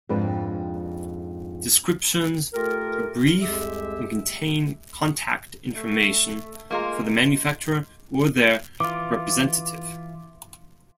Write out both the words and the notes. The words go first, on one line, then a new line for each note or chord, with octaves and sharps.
Descriptions are brief and contain contact information for the manufacturer or their representative.
F2 G#2 D4 B4 G5
A3 F4 G4 A4 A#4
C2 F2 G#3 G4 G#4 E5
A3
G#3 A#3 F4 A#4
E3 F4 D6